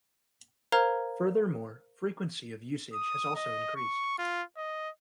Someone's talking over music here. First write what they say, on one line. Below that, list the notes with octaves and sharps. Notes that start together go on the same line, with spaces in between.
Furthermore, frequency of usage has also increased.
A#4 C5 F5 A#5 F6 G#6
D#6
D#5
C#6
F4
D#5